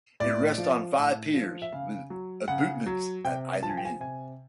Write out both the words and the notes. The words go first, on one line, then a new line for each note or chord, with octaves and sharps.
It rests on five piers, with abutments at either end.
A2 D5
F3
A2
F3
E5
C#3 F5
F#3
C#3 F#5
F#3
C3 G5
F3 A5
G#5
G5
G#5
C3 G#5